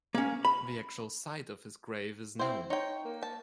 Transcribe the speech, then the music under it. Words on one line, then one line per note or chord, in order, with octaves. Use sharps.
The actual site of his grave is known.
A#3 C#4
B5
C4 E4 C5
D#4 C#5 G5
A#3
A5